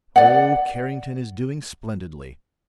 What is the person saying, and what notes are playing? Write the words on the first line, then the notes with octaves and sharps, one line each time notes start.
Oh, Carrington is doing splendidly!
D5 F#5